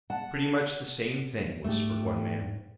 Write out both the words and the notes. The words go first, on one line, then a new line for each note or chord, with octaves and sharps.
"Pretty much the same thing," whispered one man.
F#5 A5
G#2 A3 G4